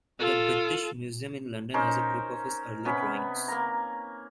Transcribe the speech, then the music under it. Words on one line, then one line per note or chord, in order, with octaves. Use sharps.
The British Museum in London has a group of his early drawings.
F4 A4
C#4 D#4 A#4 C5
C3 B3 C#4 B5
A#3 A#5